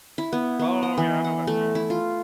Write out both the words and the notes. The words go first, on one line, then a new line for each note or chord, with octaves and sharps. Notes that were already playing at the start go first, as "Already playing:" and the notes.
Oh yeah, I know that song,
E4
B3
B3
D#5
E3
F#5
A3
E4
F4